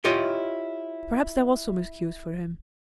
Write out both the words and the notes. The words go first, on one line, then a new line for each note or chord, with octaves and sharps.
Perhaps there was some excuse for him.
E4 F4 G4 C#5 D#5